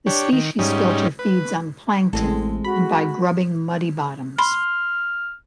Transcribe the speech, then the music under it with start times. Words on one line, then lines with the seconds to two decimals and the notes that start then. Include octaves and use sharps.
The species filter feeds on plankton and by grubbing muddy bottoms.
0.07 D4 G4 C#5
0.33 D#3
0.59 G#2 G3 C#4 D#4
1.19 B4
2.13 A1 G#3 C4 A4
2.65 F#4 B5
4.38 B5 C6 F6